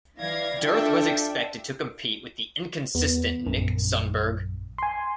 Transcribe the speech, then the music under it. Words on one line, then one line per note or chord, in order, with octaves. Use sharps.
Dearth was expected to compete with the "inconsistent" Nick Sundberg.
E3 D5 F5 G#6 A#6
D4 F4 A4 D5 E5 G5
E2 B3
A#1 F#2
G#5 C6